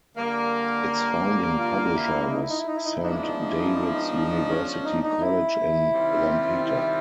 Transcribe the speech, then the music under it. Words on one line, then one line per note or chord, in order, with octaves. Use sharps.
Its founding publisher was Saint David's University College in Lampeter.
D3 G3 A#3
F4
E4
D#4
E4
D#4
E4
D#4
E4
D#4
E4
F3 G#3 B3 D4 D#4
E4
D#4
E4
D#4
E4
D#4
E4
D#4
E4
D#4
C#4
C#4
D#4
D#4
E4
C3 D#3 G3 C4 F4
E4